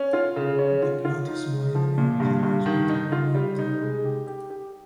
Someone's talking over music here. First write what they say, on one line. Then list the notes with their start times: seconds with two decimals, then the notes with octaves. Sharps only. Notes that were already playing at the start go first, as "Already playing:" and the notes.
The plot is mildly ingenious but highly improbable.
Already playing: C#4
0.13 F4
0.36 C#3
0.59 C#4
0.82 F4
1.05 F4
1.28 D#4
1.51 G#3
1.75 F3
1.98 A#2
2.20 G2
2.43 G2
2.66 D#3
2.89 D#4
3.12 F4
3.35 G3
3.59 D#4
3.81 G#3
4.05 G4
4.27 G4
4.50 G4